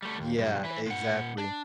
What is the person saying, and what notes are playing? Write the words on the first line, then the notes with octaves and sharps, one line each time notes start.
Yeah, exactly.
G3 A3
D#2
B1 G2
E3 B4
A#2 F#5
D4